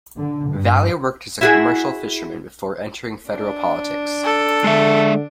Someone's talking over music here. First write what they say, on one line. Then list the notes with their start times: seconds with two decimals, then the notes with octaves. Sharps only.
Valley worked as a commercial fisherman before entering federal politics.
0.18 D3
0.49 G2
1.41 E4 F#4 G#4
3.29 D4
4.24 A4
4.64 D3 G#3 E5